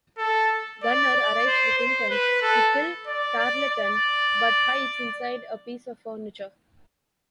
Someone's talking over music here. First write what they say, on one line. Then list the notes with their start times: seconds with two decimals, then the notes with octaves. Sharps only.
Gunner arrives with intent to kill Tarleton but hides inside a piece of furniture.
0.18 A4
0.83 D5
1.15 D5
1.47 C5
1.78 C5
2.10 B4
2.42 A4
3.07 D5
3.39 D5
3.70 D5